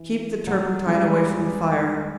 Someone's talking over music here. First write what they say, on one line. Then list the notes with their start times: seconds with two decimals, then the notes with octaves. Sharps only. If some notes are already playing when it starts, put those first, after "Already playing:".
Keep the turpentine away from the fire.
Already playing: E3
0.47 F#3
0.86 G#3
0.95 G3